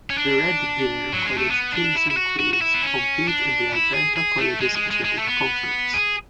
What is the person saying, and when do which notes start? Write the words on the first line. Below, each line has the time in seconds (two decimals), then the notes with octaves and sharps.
The Red Deer College Kings and Queens compete in the Alberta Colleges Athletic Conference.
0.10 C#4
0.18 D4
1.13 F#3
1.25 G#3
1.38 A3
1.51 B3
1.72 D4
1.95 E4
2.10 E4
2.17 F#4
2.39 F#4
2.53 F#4
2.61 E4
2.74 B3
2.83 C#4
3.28 D4
3.72 E4
3.94 G#4
4.16 G#4
4.38 A3
4.61 G#3
4.75 G#3
4.91 G#3
5.04 G#3
5.19 A3
5.27 B3
5.94 G#4